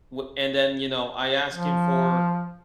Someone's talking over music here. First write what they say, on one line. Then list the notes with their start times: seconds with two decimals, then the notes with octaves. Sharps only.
w and then, you know, I asked him for
1.52 F3